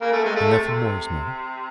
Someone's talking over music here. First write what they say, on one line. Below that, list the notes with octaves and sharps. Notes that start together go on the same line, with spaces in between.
"And nothing more is known?"
C#3 A#3
A3
C3 G#3
A3
C3
C3